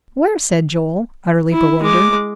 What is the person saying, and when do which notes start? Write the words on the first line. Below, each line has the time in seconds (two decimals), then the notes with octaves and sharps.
"Where?" said Joel, utterly bewildered.
1.52 E4
1.82 G#3 D6